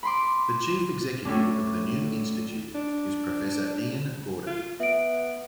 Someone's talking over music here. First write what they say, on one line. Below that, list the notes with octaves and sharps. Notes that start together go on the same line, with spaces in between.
The chief executive of the new institute is Professor Iain Gordon.
B5 C6 D6
A2 C#4 D4
D4
F4
B3 E5 D7